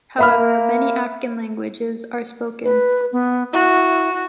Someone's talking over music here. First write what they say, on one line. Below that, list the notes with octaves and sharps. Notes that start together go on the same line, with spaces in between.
However, many African languages are spoken.
A#3 E5 B5 F6
B4
B3
E4 F#4